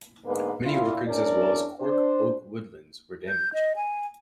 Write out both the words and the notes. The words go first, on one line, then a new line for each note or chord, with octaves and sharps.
Many orchards as well as cork oak woodlands were damaged.
G#2 D3 A#3 B3 B4
A#2 D3 E4 F4
E2 C#4 D4 A#4 D5
D4 C5
G6
D#5
G#5